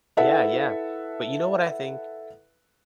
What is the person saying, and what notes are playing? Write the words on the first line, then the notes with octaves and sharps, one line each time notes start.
Yeah, yeah. But you know what I think?
E4 A4 B4 E5 F#5